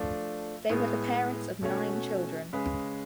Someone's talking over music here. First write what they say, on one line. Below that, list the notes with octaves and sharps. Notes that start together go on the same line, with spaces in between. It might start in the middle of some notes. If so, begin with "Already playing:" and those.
They were the parents of nine children.
Already playing: F3 A3 D4 F4
A2 G#3 B3
B2 A3 C#4 F#4 C#5
C#3 G#3 C#4 G#4 B4